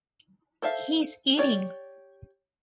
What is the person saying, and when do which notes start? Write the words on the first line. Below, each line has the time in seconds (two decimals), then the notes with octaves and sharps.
He's eating.
0.62 A4 C5 E5 F5
1.37 G4 C#5 D5